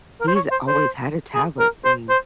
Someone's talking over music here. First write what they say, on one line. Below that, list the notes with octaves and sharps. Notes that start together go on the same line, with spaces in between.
he's always had a tablet, and
A#4
C5
C#5
C5
C5
G#4
A#4
C5
C5